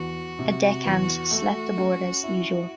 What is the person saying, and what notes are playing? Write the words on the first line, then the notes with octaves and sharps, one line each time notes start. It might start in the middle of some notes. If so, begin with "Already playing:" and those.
A deck hand slept aboard as usual.
Already playing: E2 F#4
C3
E2
A3
C#4
E4